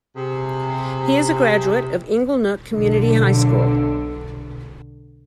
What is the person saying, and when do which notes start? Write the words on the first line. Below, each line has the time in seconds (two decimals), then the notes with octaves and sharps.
He is a graduate of Inglenook Community High School.
0.16 C3 G#4
2.70 B1 D3